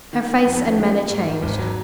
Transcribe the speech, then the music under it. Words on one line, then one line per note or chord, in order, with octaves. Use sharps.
Her face and manner changed.
D#3
A#3
F2
C#4
D#3
A#3
G#2
D#3
G#1
F#3